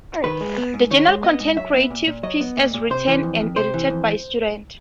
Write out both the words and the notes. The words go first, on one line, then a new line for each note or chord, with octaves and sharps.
The journal contains creatives pieces as written and edited by students.
D#3 B4
G#3
B3
G#2
D#3 C#5
G#3
B3 D#5
G#2
F#3 E5
B3
A#2
A#2
F#3 D#5
B3
A#2
A#2
C3 C5
E3
F2
F2
C3 C5
E3
F2